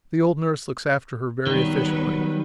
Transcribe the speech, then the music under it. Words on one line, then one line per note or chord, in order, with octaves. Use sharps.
The old nurse looks after her very efficiently.
D#3 F#3 G3 B3 B4